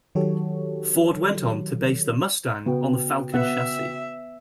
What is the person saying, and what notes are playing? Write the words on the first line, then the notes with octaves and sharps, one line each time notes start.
Ford went on to base the Mustang on the Falcon chassis.
D#3 F#3 F#4 G4 A4 C#5
C#3 B3 F#4 G5
B3 E5 F#5